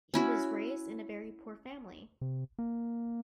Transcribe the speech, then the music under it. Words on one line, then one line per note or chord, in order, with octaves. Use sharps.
He was raised in a very poor family.
C#4 E4 F#4
C3
A#3